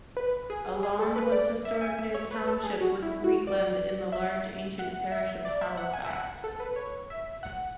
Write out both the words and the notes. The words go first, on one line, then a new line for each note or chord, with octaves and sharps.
Elland was historically a township, with Greetland, in the large ancient parish of Halifax.
B4
G#4
G#4
A4
B4
D5
E5
G#5
E5
C#5
B4
A4
G#4
F#4
E4
F#4
D5
E5
F#5
E5
D5
E5
F#5
G#5
E5
F#5
A4
B4
C#5
E5
F#5